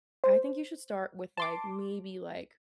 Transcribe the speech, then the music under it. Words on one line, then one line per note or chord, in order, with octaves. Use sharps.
I think you should start with like maybe, like,
C5
A5 C6 D6